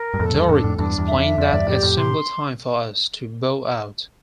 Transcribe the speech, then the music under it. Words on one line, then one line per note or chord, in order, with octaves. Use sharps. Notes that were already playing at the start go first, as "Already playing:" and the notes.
Dorrian explained that It's simply time for us to bow out.
Already playing: A#4
G2
F2 A2 A4
E2 G2
F2 A2 D4
F2 A2
E2 G2 D4
E2 G2
E5
F2
F2 D5
E2 G2
F2 A2 G4
F2 A2
A2 C3 C6